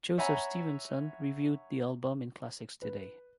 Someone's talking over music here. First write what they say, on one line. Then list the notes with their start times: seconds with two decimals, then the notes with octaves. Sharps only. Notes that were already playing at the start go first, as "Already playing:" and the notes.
Joseph Stevenson reviewed the album in "Classics Today".
0.18 C#5 E5 F#5 G#5 A#5 B5
2.82 B4